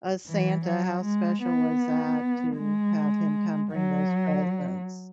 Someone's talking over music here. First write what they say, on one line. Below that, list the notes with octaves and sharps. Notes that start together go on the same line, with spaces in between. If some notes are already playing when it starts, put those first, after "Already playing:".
a Santa, how special was that to have him come bring those presents.
E3
F#3
G#3
B3
G#3
F#3